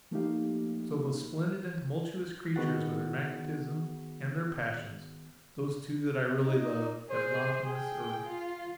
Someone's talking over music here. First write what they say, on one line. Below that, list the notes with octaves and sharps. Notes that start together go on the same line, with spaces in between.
So those splendid and tumultuous creatures with their magnetism and their passions--those two that I really loved--have gone from this earth.
F3 A3 A#3 D#4 G4 F5
D#3 B3 F#4 G#4 F#5 A6
D#4
G#4 C5
G#4 G5
F4